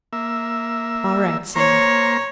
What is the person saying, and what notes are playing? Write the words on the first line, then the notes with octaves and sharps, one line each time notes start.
"All right, Sam."
A#3 E5
A#3 C5 C#5 A#5